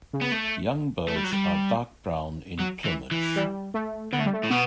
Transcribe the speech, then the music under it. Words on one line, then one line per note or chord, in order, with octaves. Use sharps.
Young birds are dark brown in plumage.
C#3
B3
A3
A3
G3
F#3
G3
F#3
E3
E3
G3
A3
D3 B3
A3
G3
A3
A2
B2 B3